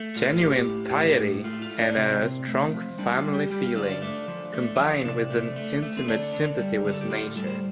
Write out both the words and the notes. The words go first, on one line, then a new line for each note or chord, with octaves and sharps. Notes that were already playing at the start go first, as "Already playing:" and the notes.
Genuine piety and a strong family feeling combine with an intimate sympathy with nature.
Already playing: A3
A2 F4
A2 G4
A2
A2
A2
A3 F4
F4
A2
D4
C3 C4
C3
A3
F3
G3 D4
F4
G3
G4
G3 G4
F4
D3 D4
F4
D4
A3 D4
F3
A3
F3
C3 D4
A3
A3
A3
C4
D3 D4
D3
G3
D3
A4
G4
A2 F4
G3 A4
C5